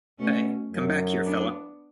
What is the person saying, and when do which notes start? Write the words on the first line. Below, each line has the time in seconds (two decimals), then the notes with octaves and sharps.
Hey, come back here, fella!
0.19 B2 A3 C#4
0.72 F#2
1.24 B3 D4